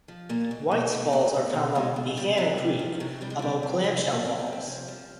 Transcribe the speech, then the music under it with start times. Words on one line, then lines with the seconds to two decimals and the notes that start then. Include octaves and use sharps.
Whites Falls are found on Behana Creek, above Clamshell Falls.
0.08 F3
0.29 A#2 A#3
0.51 B2
0.71 B2
0.92 B2 A3
1.13 B2
1.34 B2
1.54 B2
1.75 B2 G#3
1.96 B2
2.17 C3 G3
2.38 C3 F#3
2.58 C3
2.79 F3
3.00 C3 F#3
3.21 C3 G3
3.30 G#3
3.39 C3 G3
3.63 C3
3.84 F3 G#3
3.97 A3
4.05 F3
4.12 A#3
4.25 C3 C4
4.39 B3
4.47 C3
4.53 C4
4.67 F3 C#4
4.88 F3 G3